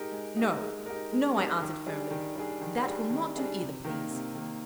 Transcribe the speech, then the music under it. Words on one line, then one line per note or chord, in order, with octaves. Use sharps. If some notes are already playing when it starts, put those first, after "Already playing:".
'No, no,' I answered, firmly. 'That will not do either, please.
Already playing: G#3 D#4 G4 A#4
G#3
D#4 G4 A#4
G#3
D#4 G4 A#4
G#3
D#4 G4 A#4
D#3
G3 D4 G#4
D#3
G3 D4 G#4
D#3
G3 D4 G#4
D#3
G3 D4 G#4
C3
D#3 A#3
C3
D#3 A#3